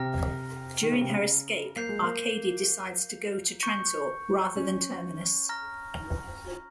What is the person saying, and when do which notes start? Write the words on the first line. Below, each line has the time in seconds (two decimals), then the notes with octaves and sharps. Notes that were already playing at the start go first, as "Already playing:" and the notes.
During her escape, Arkady decides to go to Trantor rather than Terminus.
Already playing: C3 A#5 F6 A#6
0.83 D#3
0.91 C#3
1.01 C3
1.09 C#3
1.76 A#3 G6 C7 F7
1.89 G#3
2.03 A#3
3.63 C#6 G6 C#7
4.56 C#4
5.49 A#5 F6 A#6